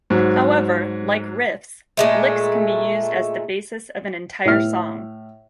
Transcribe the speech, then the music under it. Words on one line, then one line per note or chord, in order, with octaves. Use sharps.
However, like riffs, licks can be used as the basis of an entire song.
G#2 F#3
A#2 G#3 A3
A2 E5 F6